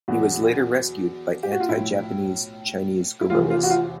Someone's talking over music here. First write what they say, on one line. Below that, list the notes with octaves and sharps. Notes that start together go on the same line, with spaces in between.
He was later rescued by anti-Japanese Chinese guerrillas.
E2 B2 F#3 F#4
G4
F#4
F4
B1 A2 F3 E4
E4
F1 E2 C3 E3 F4
F4
F#4
F4